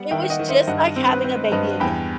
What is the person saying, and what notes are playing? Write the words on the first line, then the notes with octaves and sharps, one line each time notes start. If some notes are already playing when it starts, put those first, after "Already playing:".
It was, just, like having a baby again.
Already playing: G3 B3 F#5
D#3 E5 G5
D#5 F#5
D#3
C5 E5
G2 D#5 F#5
C4
B4
C4 C5
G2 B4 D#5
E2 G5 B5